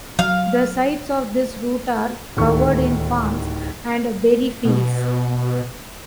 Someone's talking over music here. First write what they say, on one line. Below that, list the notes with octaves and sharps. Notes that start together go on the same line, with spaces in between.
The sides of this route are covered in farms and berry fields.
F#3 F5
D1 D#2 A4 C#6
B2